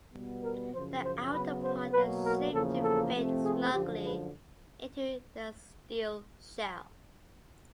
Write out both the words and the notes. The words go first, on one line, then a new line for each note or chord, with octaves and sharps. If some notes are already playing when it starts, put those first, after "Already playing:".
The outer part is shaped to fit snugly into the steel shell.
B2 G3 B3
A#4
F#2 C#3 F3 C5
C5
C#3 F#3 B3 B4
C5
B2 F#3 A#3 B4
A#4
E2 C#3 F3 A#3 A4
A4
C3 F3 A3 C4
G#4
F#2 D3 F3 G4
B4